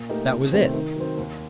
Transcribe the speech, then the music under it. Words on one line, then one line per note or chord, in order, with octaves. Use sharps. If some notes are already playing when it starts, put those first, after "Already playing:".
That was it!
Already playing: A#2
A3 D#4 G4 A#4
C2
C3 D#3 A3 C4
D#3
F#3 C4
D#2